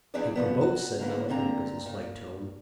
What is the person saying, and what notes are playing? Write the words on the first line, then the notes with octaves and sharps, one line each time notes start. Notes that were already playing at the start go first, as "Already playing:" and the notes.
"Paper boats," said Melick, in a business-like tone.
E2 E3 F3 D4 G#4 D5
C3 F3 B3
F#4
D3 A#3 B3
D3 A#3 C4 A#5
A#2